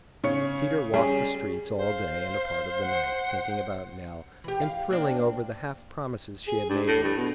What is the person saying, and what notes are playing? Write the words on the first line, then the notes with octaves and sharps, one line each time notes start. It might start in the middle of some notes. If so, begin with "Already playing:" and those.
Peter walked the streets all day and a part of the night, thinking about Nell, and thrilling over the half promises she had made him.
C#3 C#5 C#7
G3 C#4 G#4
C5 F5
F#5
E3 G4
F5
A#3 C4 D4
G#4
G2
A2
G2
B2